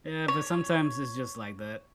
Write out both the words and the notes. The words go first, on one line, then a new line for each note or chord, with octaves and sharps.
Yeah, but sometimes it's just like that.
C#5